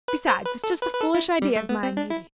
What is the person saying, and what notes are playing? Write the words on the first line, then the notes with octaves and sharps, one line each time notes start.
Besides it's just a foolish idea of mine, maybe.
B4
C5
B4
A4
B4
B4
A4
E4
G3
A3
B3
C4
D4
E4